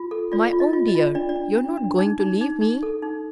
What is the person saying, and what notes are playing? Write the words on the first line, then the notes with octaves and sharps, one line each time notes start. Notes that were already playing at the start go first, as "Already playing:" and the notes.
"My own dear, you're not going to leave me!"
Already playing: F4
A4
F4 D5
F4
D#5
F4
D#5
F4
D4 D5
D5
D4
D4
D4
D#4
D#4
D#4
D#4
A4
D#4